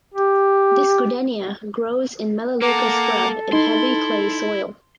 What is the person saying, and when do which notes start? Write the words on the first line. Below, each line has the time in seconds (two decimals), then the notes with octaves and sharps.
This goodenia grows in "Melaleuca" scrub in heavy clay soil.
0.14 G4
2.62 A#3 A4 F#5 A#5 D6
3.53 D#4 E4 C6